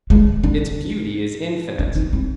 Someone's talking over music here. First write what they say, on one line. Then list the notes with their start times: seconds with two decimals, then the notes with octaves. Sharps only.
Its beauty is infinite.
0.10 G#3
0.44 D4
1.79 D4
1.95 D#4
2.13 C4